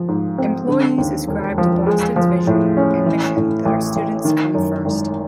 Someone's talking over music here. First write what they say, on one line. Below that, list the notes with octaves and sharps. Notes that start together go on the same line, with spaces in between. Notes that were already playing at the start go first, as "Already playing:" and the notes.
Employees ascribe to Boston's vision and mission that our students come first.
Already playing: F3
G#2
C4
D3
D#2
E1
F3
G#3
F3
A2
C#4
E3
A2
A1
A1
D#3
F#2
G#1